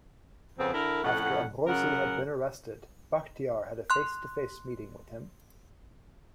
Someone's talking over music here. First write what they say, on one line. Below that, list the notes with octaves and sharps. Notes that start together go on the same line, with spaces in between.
After Amrozi had been arrested Bachtiar had a face-to-face meeting with him.
F2 C#3 B3 C4
D3 E4 A#4
F2 A2 C#4 F#5
F#2 C#3 A#4 F#5
C6 F#6